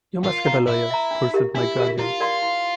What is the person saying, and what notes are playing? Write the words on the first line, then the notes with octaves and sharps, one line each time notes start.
"You must have a lawyer," pursued my guardian.
F4 A#4
E5 A#5
E4 A#4
E5 A#5
D4
G4 A#4 E5
D4 E4
G4 A#4 E5
E4 F4
A#4 D5 F5 C6
E4